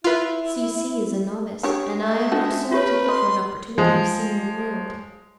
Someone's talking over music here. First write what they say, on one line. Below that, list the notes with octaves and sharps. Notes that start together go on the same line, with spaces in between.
C---- C---- is a novice, and I am not sorry to give her an opportunity of seeing the world.
E4 F4 B4
D4 G4 G#4 C#5
G#3 E5
C#4 D4 F4 F#4 A4
F4 G4 B4 C#5
D#5 C6
F3 G#3